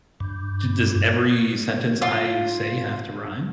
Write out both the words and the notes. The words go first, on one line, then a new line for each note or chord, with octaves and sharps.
d does every sentence I say have to rhyme?
G2
F4